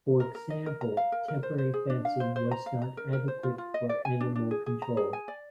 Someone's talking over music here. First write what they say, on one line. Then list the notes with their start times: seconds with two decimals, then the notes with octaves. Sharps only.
For example, temporary fencing was not adequate for animal control.
0.20 A#4
0.35 A#4
0.50 D#5
0.66 A#4
0.81 A#5
0.97 F5
1.12 A#4
1.28 A#4
1.43 C5
1.58 C5
1.74 G#4
1.90 D4
2.05 F5
2.20 C5
2.36 C5
2.51 A#5
2.66 F5
2.82 A#5
2.97 A#4
3.13 A#4
3.28 C5
3.43 F4
3.58 F4
3.74 D#5
3.89 D5
4.05 G#5
4.20 D4
4.35 D4
4.51 G#4
4.66 G#4
4.82 A#5
4.97 G#4
5.13 G#5
5.28 D5